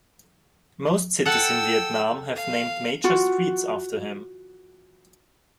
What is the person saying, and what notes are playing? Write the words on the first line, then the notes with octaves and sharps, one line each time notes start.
Most cities in Vietnam have named major streets after him.
A4 F#5 G5 A5 E6
F5
F4 F#4